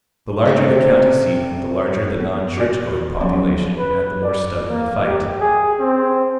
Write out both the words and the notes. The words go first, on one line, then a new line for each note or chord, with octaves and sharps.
The larger the county-seat, the larger the non-church-going population and the more stubborn the fight.
C3 A3 C4
B3
F#4 D5
F3 F#3 B3 C#4
B4
D5
A#3
G4
G#4
C4